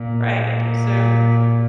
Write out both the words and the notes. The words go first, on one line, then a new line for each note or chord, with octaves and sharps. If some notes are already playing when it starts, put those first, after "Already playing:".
Right, so
Already playing: A#2
A#2